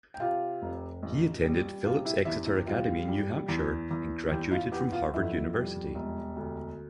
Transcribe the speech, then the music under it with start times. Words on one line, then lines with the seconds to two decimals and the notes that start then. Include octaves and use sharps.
He attended Phillips Exeter Academy in New Hampshire, and graduated from Harvard University.
0.14 G5
0.20 C3 F4 F5
0.62 F1
1.03 A1
1.44 G3
1.84 C3 F4 F5
2.05 E4 E5
2.25 E2 E4 E5
2.46 E4 E5
2.66 G3 F4 F5
3.08 G3
3.48 E2
3.91 E2
4.31 E2 G4 G5
4.51 F4 F5
4.72 B3 G4 G5
4.92 F4 F5
5.14 F2 E4 E5
5.54 G3
5.95 E1
6.36 D2